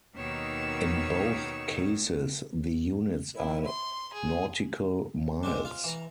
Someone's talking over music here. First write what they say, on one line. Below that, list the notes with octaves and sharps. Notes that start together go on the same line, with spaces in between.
In both cases the units are nautical miles.
D#2 B2 D#3 D#4 C#5 E6
E4
C6
G#4
D3 G#3 C4 D4
F4 F5
E3 A#5